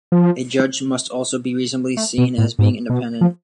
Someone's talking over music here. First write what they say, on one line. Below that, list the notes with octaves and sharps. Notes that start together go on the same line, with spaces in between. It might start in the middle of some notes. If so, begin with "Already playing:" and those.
A judge must also be reasonably seen as being independent.
F3
A3
B2
A2
G#2
B2
F3